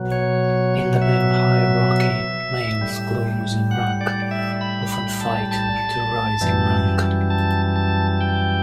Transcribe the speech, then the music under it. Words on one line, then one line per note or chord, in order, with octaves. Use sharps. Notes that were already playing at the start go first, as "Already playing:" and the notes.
In the male hierarchy, males close in rank often fight to rise in rank.
Already playing: B2 F#3
C#5
E5
A2 G3
F#5
D5
E5
B5
B5
A5
A5
F#2 E3 G3
A5
A5
G5